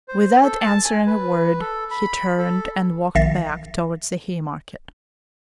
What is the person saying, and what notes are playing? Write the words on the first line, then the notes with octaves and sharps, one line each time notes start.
Without answering a word he turned and walked back towards the Hay Market.
C5
A4
A5
G#5
B4
A4
B5
A4
A#1 D#3 E5 A6 A#6 C7